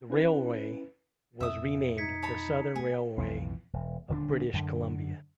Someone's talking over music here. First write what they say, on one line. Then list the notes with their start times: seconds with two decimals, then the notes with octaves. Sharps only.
The railway was renamed the Southern Railway of British Columbia.
0.10 C#4 E4 B4
1.40 F2 B2 C4 E5 D#6
1.98 D#4 G#6 B6 C#7
2.22 C#5 A5 B5
2.76 B2 A3 G#4
3.17 B1 F2 A2 E3
3.73 E1
4.09 D#1 D3 C4 D4
4.53 F#2 D3